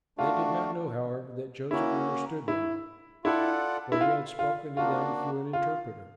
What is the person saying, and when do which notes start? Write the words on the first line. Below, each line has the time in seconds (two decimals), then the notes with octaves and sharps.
They did not know, however, that Joseph understood them, for he had spoken to them through an interpreter.
0.18 A3 D4 F4 F#4
1.71 A#3 C#4 E4 F#4
2.48 E4
3.24 E4 F4 A4 D5 F#5
3.92 E4
4.01 F4
4.39 F4
4.77 A#3 D4 F4 F#4
5.53 F4